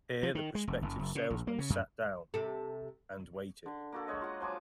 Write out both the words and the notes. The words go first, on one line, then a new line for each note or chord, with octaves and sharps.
Here the prospective salesmen sat down — and waited.
F3
D#3
G#3
F1
F#1
F#1
C#3
A#1
A#3
C#3
F#2
C3 A4
D3
A#3 F#4 A4
G#3 F#4 C#5 D#5
F4 F#5
F3 F#3 G#5 D6